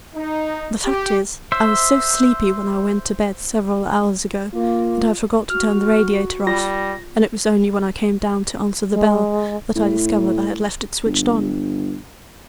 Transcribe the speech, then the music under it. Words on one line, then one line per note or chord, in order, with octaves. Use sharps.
"The fact is, I was so sleepy when I went to bed, several hours ago, that I forgot to turn the radiator off, and it was only when I came down to answer the bell that I discovered I had left it switched on."
D#4
G4
C5 E5
A#3 F4
F#4 F6
G3 F4 A#6
G#3
A2
G1